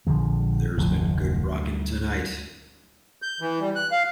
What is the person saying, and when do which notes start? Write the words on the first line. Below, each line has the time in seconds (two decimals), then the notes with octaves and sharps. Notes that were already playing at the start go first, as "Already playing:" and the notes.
There's been Good Rockin' Tonite!
0.07 A#1 D3 F3 G#3
0.77 F1 D2 G#2 F3
1.46 D2
3.22 G6
3.41 E3
3.60 G3
3.76 F#6
3.91 F5